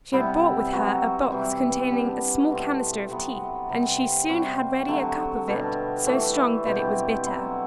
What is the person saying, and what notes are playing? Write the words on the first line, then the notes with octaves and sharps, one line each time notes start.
She had brought with her a box containing a small canister of tea, and she soon had ready a cup of it, so strong that it was bitter.
C3 G3 B3 E4
F#3 B3 F#4
C3 E3 G3
G3 B3 D4 G4
B2 A3 C4
C3 F#3 B3
C3 G3 C4
C3 G3 C4 F#4
D3 F#3 A3
B2 G3 D4
E3 A3 E4
B2 G3 C4 G4
F#3 B3 E4